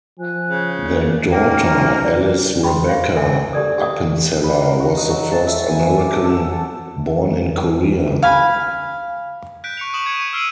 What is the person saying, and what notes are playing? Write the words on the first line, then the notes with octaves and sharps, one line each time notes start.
Their daughter Alice Rebecca Appenzeller was the first American born in Korea.
F3 G#5 F#6
C#3
A#3 D5
E2 A#3 C#4 D#4 G5 F6
F#3
D5
E4 F#4 G5 B5 C#6
F5 C#6
A4 A#4 C5 E5 G#5
G4 A4 A#4 D5 D#6
G4 D#6
B4
A#4
F#4
D#5
F#3
A5
E5
G#5
D6
A4
A4
A5
F5 G#5 B5
F#6 G6 B6 D7
C#6 C#7 F7
C#6 D#6 E7 F#7
G#6 C#7 D#7
C#7 E7
E6 F6 C7 D7 D#7 F#7